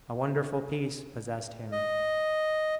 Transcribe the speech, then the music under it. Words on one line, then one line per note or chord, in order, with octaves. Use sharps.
A wonderful peace possessed him.
D#5